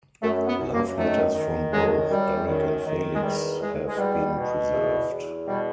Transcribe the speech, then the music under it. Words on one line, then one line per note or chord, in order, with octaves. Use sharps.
Love letters from both Eric and Felix have been preserved.
F#2 A3
B3
F#2
A#3
D#3 A3
D#3
F#2 G#3
F#2 G3
D#3
D#3
G#3
E2 G3
E2 G#3
G#3
B2 G3
B2
E2
E2
B2 G3